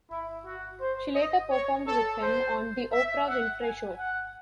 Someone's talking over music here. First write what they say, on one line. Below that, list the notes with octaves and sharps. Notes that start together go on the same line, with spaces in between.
She later performed with him on "The Oprah Winfrey Show".
E4
F#4
C5
D#5
C#5
A4
C5
E5
F#5
G#5
F#5